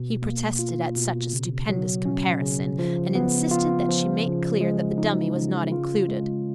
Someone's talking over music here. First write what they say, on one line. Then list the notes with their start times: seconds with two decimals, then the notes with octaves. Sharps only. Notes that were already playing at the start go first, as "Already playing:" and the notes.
He protested at such a stupendous comparison, and insisted that she make clear that the dummy was not included.
Already playing: B2
0.22 A#3
0.59 F4
0.96 B2
1.33 C#3
1.69 F#3
2.05 C#4
2.42 C#3
2.79 F3
3.15 B3
3.51 F4
3.89 F3
4.26 C#3
4.61 G#3
4.98 D#4
5.35 C#3
5.72 F4
6.08 G#3